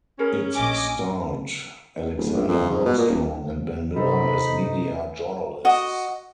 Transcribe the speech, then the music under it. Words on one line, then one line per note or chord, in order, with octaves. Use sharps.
It starred Alexander Armstrong and Ben Miller as media journalists.
C#4 G#4 A#4 B5
A#1 D#5 G#5 D6
D1
A#1
F2
G#2
B2
A#2
D#1
C3 D#4 A4 C5 B5
F#4 D#5